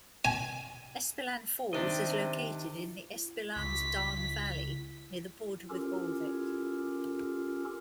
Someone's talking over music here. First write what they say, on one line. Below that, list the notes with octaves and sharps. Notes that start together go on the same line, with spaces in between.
Espeland Falls is located in the Espelandsdalen valley near the border with Ulvik.
G#5
C3 D#3 D4 D#5
C#2 B6
C#4 F4 G4 A4 A#4